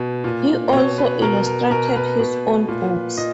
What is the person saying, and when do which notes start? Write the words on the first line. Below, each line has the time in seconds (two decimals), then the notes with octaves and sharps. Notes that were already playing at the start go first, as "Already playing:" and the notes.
He also illustrated his own books.
Already playing: B2
0.24 A#2
0.73 B2 C#5
0.98 B4
1.22 B2 A#4
1.47 A#4
1.71 B2 A#4
1.88 A#4
1.96 B4
2.20 B2
2.68 A#2
3.17 A#2 D#5